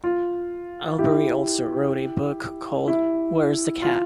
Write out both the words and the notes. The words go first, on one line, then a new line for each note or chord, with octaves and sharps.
Albery also wrote a book called Where's the Cat?
F4
E4 G4
E4
F4